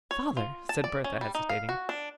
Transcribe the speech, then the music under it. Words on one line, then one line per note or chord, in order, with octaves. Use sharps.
"Father!" said Bertha, hesitating.
C#5
F4
A5
D5
C#4
G3
D#4
F5
F#4
D4